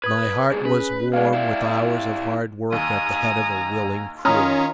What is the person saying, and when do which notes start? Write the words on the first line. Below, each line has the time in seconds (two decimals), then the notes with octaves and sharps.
My heart was warm with hours of hard work at the head of a willing crew.
0.04 B4 D#6 G#6
0.52 G#2 D3 G#4
0.65 C#4 B4
1.13 A#2 G#3 D5 F5
1.34 E4 G4
2.72 D#2 G#5 A#5 D#6
4.25 D#3 C#4 F4 A#5 D#6 F6